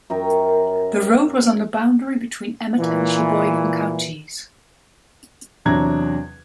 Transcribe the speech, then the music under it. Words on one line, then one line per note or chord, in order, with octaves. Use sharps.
The road was on the boundary between Emmet and Cheboygan counties.
F#2 A#4 G5
A#2 E3
E2 C3 F#3 D4 A#5 G#6